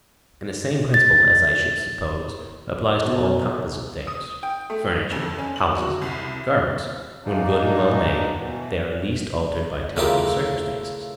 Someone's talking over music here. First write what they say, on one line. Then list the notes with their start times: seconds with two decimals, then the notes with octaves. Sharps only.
And the same principle, as I should suppose, applies to all composite things--furniture, houses, garments: when good and well made, they are least altered by time and circumstances.
0.94 A6
3.05 B2
4.07 D#6
4.43 G5
4.70 A3
5.12 F2
5.39 C#4
5.56 F#7
5.77 F#4
6.02 C2
7.24 E3 F#3 G#3 A#3 D4 D#4
8.37 B2 E3
9.96 C#3 A3 E4 F4 G4 A#4